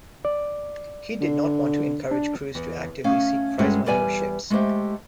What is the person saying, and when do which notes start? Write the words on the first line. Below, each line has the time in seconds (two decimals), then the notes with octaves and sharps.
He did not want to encourage crews to actively seek prize money or ships.
0.25 D5
1.21 D3
2.11 D4
2.55 E2
3.04 A3 C#4 F5
3.59 G2 G#3 A3 C#4 F#4
3.86 E2 G3 B4 D5 E5 G#5
4.50 G#3 A3 G4 C5 E5